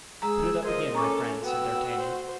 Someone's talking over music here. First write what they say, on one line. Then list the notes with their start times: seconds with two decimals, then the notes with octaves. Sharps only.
"Put it up again, my friend," said D'Artagnan.
0.22 G#3 G#4 A#5 E6
0.63 F3 G#4 A#4 C5 D#5
0.95 C#4 A4 A#5 C#6 D6
1.42 B3 F#4 G5 E6
1.98 C5